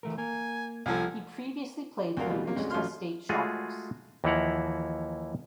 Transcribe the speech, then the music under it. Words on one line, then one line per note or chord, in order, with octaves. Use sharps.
He previously played for the Wichita State Shockers.
E3 A3 A#4
A#3 A#4 G#5
C2 F3 A4 G#5
D2 F#4 A#4 F5
B2 G3 F4
C3 A#3
D2 G#2 G#3 C#4
A1 F#3 F4 C6 F6
G#3 A3 F4 F#4 G#4
D#2 E3 F3 E4 F#5 A#5